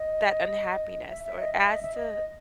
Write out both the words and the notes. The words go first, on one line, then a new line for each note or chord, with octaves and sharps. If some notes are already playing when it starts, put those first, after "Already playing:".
that unhappiness or adds to,
Already playing: D#5
E5
E5
D#5
E5
D#5
E5
D#5